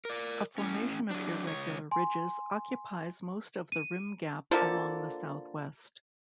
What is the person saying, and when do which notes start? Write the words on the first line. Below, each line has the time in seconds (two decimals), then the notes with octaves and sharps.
A formation of irregular ridges occupies most of the rim gap along the southwest.
0.05 A#4 D5
0.58 A2 C#4
1.10 F#3 D4
1.46 C#2 C#5
1.91 G#5 C6
3.72 D#7
4.51 D3 F3 A#3 A4